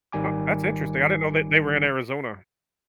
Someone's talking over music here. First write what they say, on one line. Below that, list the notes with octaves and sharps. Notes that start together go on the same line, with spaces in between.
Huh, that's interesting. I didn't know that they were in Arizona.
G#1 D#3 G3 G#5 D6